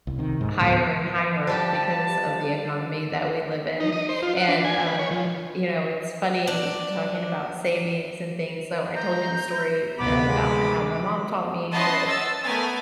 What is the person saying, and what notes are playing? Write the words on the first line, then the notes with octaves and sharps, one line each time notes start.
higher and higher because of the economy that we live in, and, um, you know, it's funny talking about savings and things. So, I told you the story eh about how my mom taught me to
C2
C3 D#3
G#2
D2 A2 G3 B3
F3 G3 G4 A5
D#4
D#5
C5
F4
F#5
D4
G#5
B4
C#5
F3
D4
A#5 G6
D2 C3 D#3 B3 B5 D6
G#3 D6
C#4 E4 D#5 F#5 A5 C6
E6 A6
A3 B3 A#4 G#5 A6